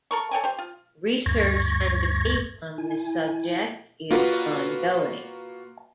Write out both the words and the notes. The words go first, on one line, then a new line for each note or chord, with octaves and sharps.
Research and debate on this subject is ongoing.
A4 A#4 C#6
A4 C#5 G5 G#5
G4 C5
F4
D2 G2 C#6 G#6 A#6
E4 G#5
A#3 F4 F#4 B4